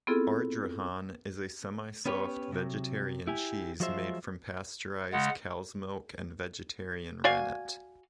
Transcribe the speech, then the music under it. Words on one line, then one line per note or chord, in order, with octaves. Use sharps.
Ardrahan is a semi-soft vegetarian cheese made from pasteurised cow's milk and vegetarian rennet.
B3 C4 E4 F4 G#4 A4
B3 C#4 G4 B4 C#5
C3 F#3
E4 G4 G#5
F3 F#3 G#3 F4 C5 E5
C#3 G#3 F#5
F#4 D5 F5 G#5